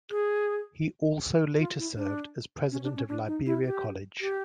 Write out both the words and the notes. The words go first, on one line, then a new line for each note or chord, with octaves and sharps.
He also later served as president of Liberia College.
G#4
F4
E4
D4
C#4
D4
C#4
D4
D#4
E4
G4
G4